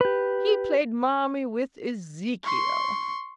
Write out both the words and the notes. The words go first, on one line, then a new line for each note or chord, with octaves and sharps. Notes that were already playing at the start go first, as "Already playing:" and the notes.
He played Marmy with Ezekiel!
G4 B4
C6 C#6